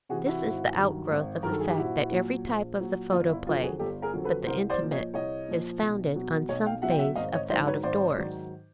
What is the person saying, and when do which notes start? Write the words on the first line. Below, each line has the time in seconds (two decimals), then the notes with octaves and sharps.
This is the outgrowth of the fact that every type of the photoplay but the intimate is founded on some phase of the out-of-doors.
0.09 C3 E3 F#4 G#4
0.26 E4 F#4
0.43 G#1
0.76 G2 D#3 F#3
1.11 G#1
1.43 G2 D#3 F#3 A#4
1.52 A4
1.60 G#4
1.69 G4
1.77 A#1 E4 F#4
2.12 A#2 F#3
2.45 A#1
2.79 A#2 F#3
3.12 G1 F4
3.29 E4
3.47 F2 D3 F#3 F4
3.63 F#4 G#4
3.79 G1 G4 A4
4.02 G#4 A#4
4.14 F2 D3 F#3
4.24 A4 B4
4.47 C2 A#4 C5
4.70 C5 D5
4.80 A#2 F3
4.91 C#5 D#5
5.14 C2 C#5 D#5
5.49 A#2 F3
5.82 B1
6.15 B2 F#3
6.49 B1 C#5 D#5
6.66 F5 G5
6.82 B2 F#3 E5 F#5
6.91 G5
6.99 E5 F#5
7.16 G#1 D#5 F5
7.32 C#5 D#5
7.49 G#2 D#3 F#3 C5 D5
7.67 B4 C#5
7.83 G#1 C5 D5
8.17 G#2 D#3 F#3